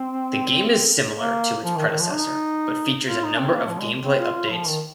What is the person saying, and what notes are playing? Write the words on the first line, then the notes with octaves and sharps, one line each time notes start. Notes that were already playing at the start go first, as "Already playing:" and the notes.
The game is similar to its predecessor, but features a number of gameplay updates.
Already playing: C4
A#3
F3
D#3
D#3
F3
D#4
F4
D#4
C4
A#3
F3
G#3
C4
F4
F4
F3
D#3